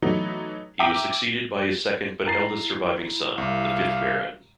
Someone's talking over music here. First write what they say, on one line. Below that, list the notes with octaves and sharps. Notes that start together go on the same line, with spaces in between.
He was succeeded by his second but eldest surviving son, the fifth Baron.
E3 F#3 A3 B3 D#4 E4
E5 G5 A#5 D6 B6 D#7
E4 A#5 A6 C7
C2 F5